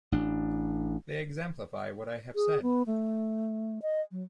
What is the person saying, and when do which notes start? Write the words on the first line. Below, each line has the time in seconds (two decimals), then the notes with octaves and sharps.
They exemplify what I have said.
0.12 A1 D4
2.35 G#4
2.62 B3
2.86 A3
3.82 D#5
4.11 F#3